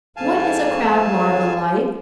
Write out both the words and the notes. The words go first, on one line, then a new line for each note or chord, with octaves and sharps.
What is a Crab larva like?
F2 G#2 F5 G#5 A5